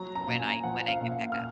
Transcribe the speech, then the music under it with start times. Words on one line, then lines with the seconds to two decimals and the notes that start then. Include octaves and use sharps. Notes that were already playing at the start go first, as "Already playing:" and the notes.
when I when I get back up.
Already playing: F#3 A#5
0.15 A#5
0.27 A#2
0.39 G#5
0.63 F3 F#5
0.88 F5
1.00 A#2
1.12 F5
1.32 F6